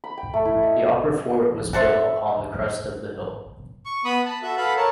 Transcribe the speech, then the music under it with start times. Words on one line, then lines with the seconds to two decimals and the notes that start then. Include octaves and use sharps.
The upper fort was built upon the crest of the hill.
0.04 B5
0.18 G5
0.34 A3
0.45 E4
0.63 D#5
1.73 F#4 A4 C5 E5
3.86 C#6
4.05 B3 B5 D#6
4.25 A5 B5
4.42 F#4 A4 E5
4.57 A4 B4 F5 F#5 B5
4.77 A#4 C#5 A5